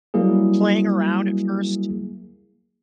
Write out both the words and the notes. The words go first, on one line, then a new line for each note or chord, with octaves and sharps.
playing around at first.
F#3 G3 A#3 E4 G#4